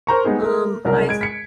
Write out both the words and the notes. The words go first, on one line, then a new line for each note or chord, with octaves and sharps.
Um, I
A#4 C5 A#5 C#6
G3 G#3 B3 D#4 G#4
A3 A#4
F#1 C2 F#3 A#4
G#3 G#6 D7
B6 C#7